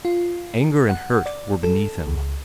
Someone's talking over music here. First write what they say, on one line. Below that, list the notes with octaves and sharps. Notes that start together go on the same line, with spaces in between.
Anger and hurt were beneath him.
F4
F#5
D5
A4
C#2